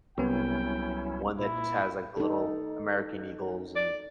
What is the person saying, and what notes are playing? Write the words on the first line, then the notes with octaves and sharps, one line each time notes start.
one that just has, like, the little American eagles and
C2 C3 F#3 B3 C#4 E4 G5
A#2 E4
D#4 A4
D5